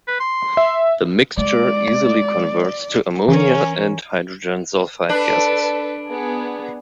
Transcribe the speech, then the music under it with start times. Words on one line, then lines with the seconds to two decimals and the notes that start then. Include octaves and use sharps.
The mixture easily converts to ammonia and hydrogen sulfide gases.
0.08 B4
0.20 C6
0.57 E5
1.38 G#3 D5
3.28 E3 C#4 A#4
5.09 D4 A4 B4
6.09 B3 G#4